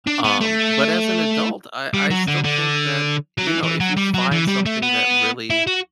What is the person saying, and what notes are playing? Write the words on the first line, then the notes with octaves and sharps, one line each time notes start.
Um, but as an adult I I still think that, you know, if you find something that really
D4
B3
A3
G3
F#3
D3
D3
F#3
E3
E3
F#3
G3
F#3
E3
G3
A3
B3
E4
F#4